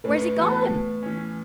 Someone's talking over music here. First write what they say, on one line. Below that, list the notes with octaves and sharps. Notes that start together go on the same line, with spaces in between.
Where's he gone?
A2 B4
E3 B3 F#4 A4
A2
E3 C#4